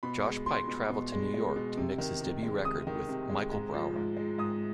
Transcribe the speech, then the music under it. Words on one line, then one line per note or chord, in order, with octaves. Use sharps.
Josh Pyke travelled to New York to mix his debut record with Michael Brauer.
B2 B5
G#3
G#3 C6
B2
B2
G#3
G#3
B2
C3
D#3
C3
G#3
C3 D#6
D#3
C3
G#3
G#2
F3
G#2
G#3
G#2 D#6